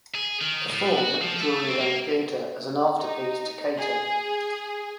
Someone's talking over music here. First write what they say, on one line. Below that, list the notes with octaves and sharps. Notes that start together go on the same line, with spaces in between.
Performed at the Drury Lane Theatre as an afterpiece to Cato.
G#4
D#3
A2
F#4
F3
A3
C4
A#3
D#4
G#4